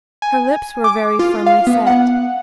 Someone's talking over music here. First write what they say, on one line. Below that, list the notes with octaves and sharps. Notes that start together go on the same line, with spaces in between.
Her lips were very firmly set.
G#5
D6
F4
F5
B3
F#5